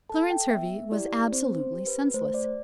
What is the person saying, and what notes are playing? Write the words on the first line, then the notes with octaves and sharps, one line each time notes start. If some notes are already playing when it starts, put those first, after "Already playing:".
Clarence Hervey was absolutely senseless.
A4 A5
G5
B3 E5
E4 G4 D5
C4 C5
C5
G4
B4
A3 C5
D5